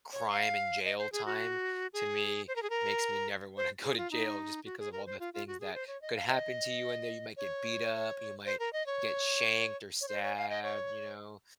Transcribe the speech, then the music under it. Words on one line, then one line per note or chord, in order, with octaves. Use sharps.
crime and jail time to me makes me never wanna go to jail just because of all the things that could happen to you in there. You might get beat up. You might get shanked or stabbed, you know?
C#5
F5
D#5
C5
G#4
F#4
G#4
C5
A#4
G#4
A#4
C5
G#4
F4
D#4
F#4
G#4
A#4
C5
F4
F4
F#4
G#4
C5
C#5
D#5
F5
D#5
C#5
C5
A#4
D#5
C#5
C#5
C5
C#5
F5
D#5
C#5